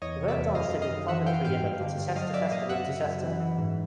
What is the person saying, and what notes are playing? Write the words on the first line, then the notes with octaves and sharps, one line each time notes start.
He worked onstage in Coventry and at the Chichester Festival in Chichester.
E2 C#5 D#5
C3
D5 E5
E2
F#2 D#5 F5
D#3
D#5 F5
F#2
E3 E5 F#5
E3 F5 G5
G#2 F5 G5
G2
D3
G2
F#3 D#5 F5
F#3 D5 E5
A#2 D#5 F5
F#2 E5 F#5
C#3
F#2
E3
E3
G#2